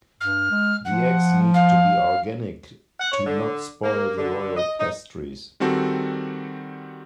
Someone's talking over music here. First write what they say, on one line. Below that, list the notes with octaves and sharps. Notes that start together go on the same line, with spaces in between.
The eggs need to be organic to not spoil the royal pastries.
G2 F6
G#3
F3 F#5
F5
F#5
C#5
D3
A#3
D3
D#5
D#4
D#3 G3 C4 F#4 A4